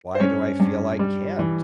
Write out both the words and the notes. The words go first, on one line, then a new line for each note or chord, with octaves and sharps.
"Why do I feel I can't
C5
G2 C#4 C#5
G2
G3
E3